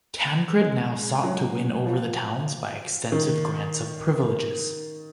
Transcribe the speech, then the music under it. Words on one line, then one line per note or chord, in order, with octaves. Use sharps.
Tancred now sought to win over the towns by extensive grants of privileges.
G#3
F#3
F3
D#3